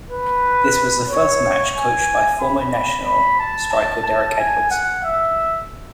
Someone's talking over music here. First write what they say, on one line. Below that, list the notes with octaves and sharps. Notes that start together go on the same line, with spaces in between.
This was the first match coached by former national striker Derrick Edwards.
B4
C#5
G#5
B5
B5
A5
A5
A5
G#5
F#5
E5